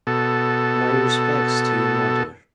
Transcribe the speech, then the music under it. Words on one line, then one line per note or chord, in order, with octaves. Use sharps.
My respects to your mother.
B2 A4